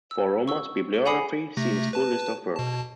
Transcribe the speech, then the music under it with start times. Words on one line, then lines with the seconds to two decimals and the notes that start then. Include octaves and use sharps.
For Rohmer's bibliography, see his full list of work.
0.11 E6
0.48 C#6 E6
1.05 G#4 F#5 G#5 B5 D#6 C7
1.57 C3 A3 A#6
1.93 B4 A5
2.55 B2 A5